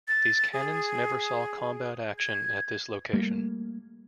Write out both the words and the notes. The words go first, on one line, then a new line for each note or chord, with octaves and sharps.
These cannons never saw combat action at this location.
A6
G#4
G#6
G3 A3 A#3